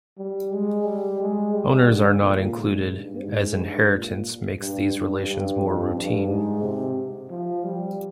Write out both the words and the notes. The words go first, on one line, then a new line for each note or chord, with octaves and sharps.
Owners are not included, as inheritance makes these relations more routine.
G3
G#3
G3
G#3
G3
D3
A#2
G#2
G2
G#2
G2
A#2
G2
G2
G2
F2
G2
G#2
C3
F3
G3